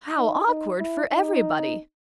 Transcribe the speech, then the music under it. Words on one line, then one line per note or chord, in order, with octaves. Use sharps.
How awkward for everybody!
D#4
D#4
E4
D#4